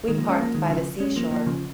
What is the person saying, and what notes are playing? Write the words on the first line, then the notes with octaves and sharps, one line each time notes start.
We parked by the seashore.
D#3 G#3
F3 A#3
G#3 C#4
F3 A#3
D#3 G#3
C#3 F3
G#3 C#4
F3 A#3
F3 A#3
C#3 F3